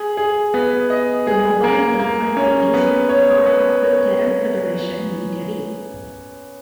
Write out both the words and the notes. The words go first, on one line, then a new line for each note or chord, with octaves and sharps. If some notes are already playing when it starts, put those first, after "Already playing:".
The Mobile Infantry is part of the Terran Federation military.
Already playing: G#4
G#4
B3
D#5
G#4
A#3
A#3
C#4
B3
C#5
B3
C#5